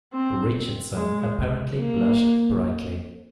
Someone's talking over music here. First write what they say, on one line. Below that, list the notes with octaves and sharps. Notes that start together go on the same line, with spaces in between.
Richardson apparently blushed brightly.
C4
G#3
A#3